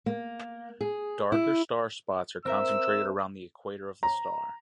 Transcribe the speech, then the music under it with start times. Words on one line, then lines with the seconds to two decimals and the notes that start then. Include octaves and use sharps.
Darker starspots are concentrated around the equator of the star.
0.06 A#3
0.81 G#4
1.32 E4
2.45 C4 A#4 E5 E6
4.03 A#5